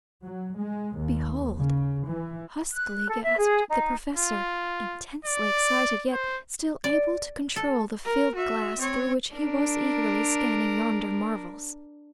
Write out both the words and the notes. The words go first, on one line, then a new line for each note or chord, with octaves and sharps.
"Behold!" huskily gasped the professor, intensely excited, yet still able to control the field-glass through which he was eagerly scanning yonder marvels.
F#3
G#3
D#2
C#3
E3
F#6
A4
E5
G#4
D#4
F4
D5
C5
D5
A4
A#4
F#4 E5
C4 C#5
D4 A#4